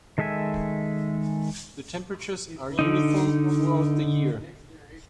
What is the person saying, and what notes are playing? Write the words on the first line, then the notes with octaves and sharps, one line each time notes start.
The temperatures are uniform throughout the year.
D#3 G#3 A4 E5 G#5
D3 D#4